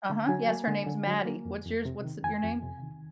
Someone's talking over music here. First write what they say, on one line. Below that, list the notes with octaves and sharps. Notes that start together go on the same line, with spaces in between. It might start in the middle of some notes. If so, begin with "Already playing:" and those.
uh-huh, yes, her name's Maddie. What's yours what's your name?
D3
F#3 G#5
A#3
D3
D3
F#3
A#3
F2
F2
C3
D#3
F2 G#5
F2
C3
D#3